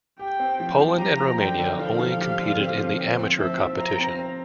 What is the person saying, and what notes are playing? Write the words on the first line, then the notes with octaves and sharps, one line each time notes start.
Poland and Romania only competed in the amateur competition.
G4 G5
C4
F3
F3
G4 A#5
F3
D3 G5
D3
F3 F5
F3
G4
D3
C4
F3
C4
C4
F3 E5
F3
C4 A#5
C4
C4